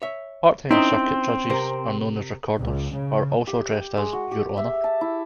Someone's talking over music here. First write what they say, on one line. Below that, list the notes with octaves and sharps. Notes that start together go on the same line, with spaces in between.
Part-time circuit judges are known as Recorders but are also addressed as "Your Honour".
C#5 E5
C4 C#4 D#4 E4
C3 A#4 C5
C#2
C#3
G4
G5
G#3
F#4
G4
E5
A5
E4